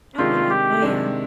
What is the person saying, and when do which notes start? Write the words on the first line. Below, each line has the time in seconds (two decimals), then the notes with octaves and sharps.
Oh, yeah, oh, yeah.
0.18 C3 D#3 G#3 D4 F4
0.50 G4
0.82 C3 D#3 G#3 D4